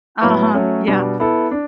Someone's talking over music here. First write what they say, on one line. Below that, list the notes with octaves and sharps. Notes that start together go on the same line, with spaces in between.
Uh-huh, yeah,
A2 F#3 B3 E4
F#3 A3 C#4
B2 G3 D4
B3 E4 A4
D4